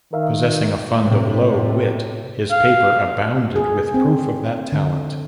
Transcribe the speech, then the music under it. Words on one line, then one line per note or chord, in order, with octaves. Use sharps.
Possessing a fund of low wit, his paper abounded with proof of that talent.
D#3 A#4 E5 F5
A2 C3
F5
G#4
C4
D3